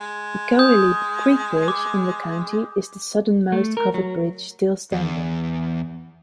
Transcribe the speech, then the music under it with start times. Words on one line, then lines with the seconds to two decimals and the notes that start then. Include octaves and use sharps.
The Cohelee Creek Bridge in the county is the southernmost covered bridge still standing.
0.01 G#3
0.59 D#6 G6
1.68 D6
3.52 A3
3.77 A#4
3.94 F#3
4.92 E2